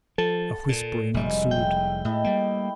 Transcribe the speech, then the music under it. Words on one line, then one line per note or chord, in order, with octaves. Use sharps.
A whispering ensued.
F3 A4
A#2
F1 A2 G3 G#3 E5
G5
A2 E4 D#5 A5
G3 A#3